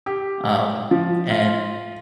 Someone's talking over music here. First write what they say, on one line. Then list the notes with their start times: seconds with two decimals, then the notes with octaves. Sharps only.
Um, and
0.06 G4
0.91 F3
1.30 F4